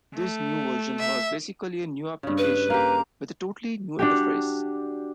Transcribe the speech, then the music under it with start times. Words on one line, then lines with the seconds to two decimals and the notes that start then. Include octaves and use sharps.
This new version was basically a new application, with a totally new interface.
0.16 A3
1.00 E5
2.23 G2 C#3
2.38 B4
2.70 A#3 G4 A#5
3.99 D4 F#4 G4